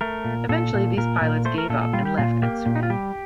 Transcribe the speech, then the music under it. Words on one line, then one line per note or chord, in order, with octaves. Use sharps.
Eventually, these pilots gave up and left Atsugi.
A3 A#4
A#2
A#2 A4
A#2
A#2 A#4
A#2
A3 C5
A#4
A#2 A4
A4
G3 F4
G4
A#2 F4
A#3 G4
A#2
D#4
F4
G3 G4